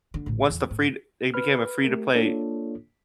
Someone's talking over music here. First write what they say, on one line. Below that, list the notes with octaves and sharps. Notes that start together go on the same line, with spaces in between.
once the free it became a free-to-play
D3
A1 A2
E2
G#2
B4 B5 F6
A3 G4 A#4
A#3 D4 F4 A4 C#5